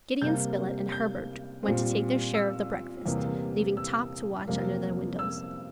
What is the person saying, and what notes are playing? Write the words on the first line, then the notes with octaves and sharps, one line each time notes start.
Gideon Spilett and Herbert went to take their share of the breakfast, leaving Top to watch under the windows.
C3 G3 A#3 G6
G6
A#2 G3 C4
E6
E2 C3 G3 A#3
E6
F2 C3 G3 A#3
E6